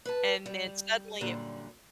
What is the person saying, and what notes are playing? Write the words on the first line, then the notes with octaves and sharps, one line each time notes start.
And then suddenly it
B4 A5
G3
F#2 A#2 D3 G3